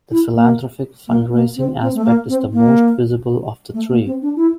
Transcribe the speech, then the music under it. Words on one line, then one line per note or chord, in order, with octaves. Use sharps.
The philanthropic fundraising aspect is the most visible of the three.
E4
A#3
A#3
A#3
C4
C4
A3
A#3
C4
A#3
A3
A#3
C4
D4
E4